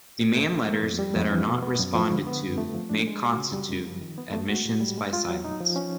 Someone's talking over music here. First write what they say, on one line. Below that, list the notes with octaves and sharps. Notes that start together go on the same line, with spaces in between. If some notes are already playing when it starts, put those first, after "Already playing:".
Demand letters that are not responded to may constitute admissions by silence.
A2
A3
D#3
A#3
F2
G3
F2
E3
B2
B3
F#2
F3
D3
B3
G2
A3
F3
D4
G#3
F#4
C#3
G3
F#2
F3
D#3
B3
A3
F#4
A2
G3
G#3
F4
F#3
D#4
F3
C#4